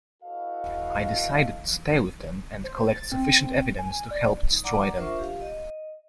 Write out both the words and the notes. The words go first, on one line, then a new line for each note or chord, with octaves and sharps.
I decided to stay with them and collect sufficient evidence to help destroy them.
E4 F#4 A4 B4 D#5 F5
C5
A6
C4
G#5
D5
D#4
D5 F#5 A#5 D6
D4 F4 A#4 C5 E5 C#6
G4 F5
D#5